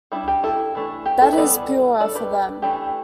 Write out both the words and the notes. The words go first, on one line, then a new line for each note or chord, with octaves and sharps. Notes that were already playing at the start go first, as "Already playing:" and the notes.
That is purer for them.
G3 D4 E4
G4
E4 A4
E3 A3 D4
G4
E4 A4
B4
E3 G3 B3 A4 D5
G3 D4 A4 D5
G4 B4
E3 A3 D4 G4